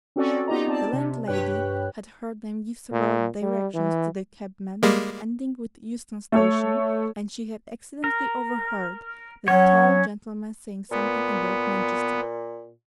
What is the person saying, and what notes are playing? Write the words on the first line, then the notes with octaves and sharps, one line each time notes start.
The landlady had heard them give several directions to the cabman, ending with Euston Station, and she had accidentally overheard the tall gentleman saying something about Manchester.
C4 C#4 F#4 A4 D5
B3 D#4 F4 G4 D#5 A#5
C4 D5 A5
C3
G2 G4 B4 C#5 G5 F#6
A#2
G3
E3
G3 G#3 A#3
A3 A4 C#5
A#4
F#3 C#4 C#5 F#5
A#2 B3